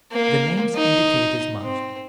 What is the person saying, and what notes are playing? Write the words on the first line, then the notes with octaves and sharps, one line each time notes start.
The names indicate as much.
A#3
D#4
C4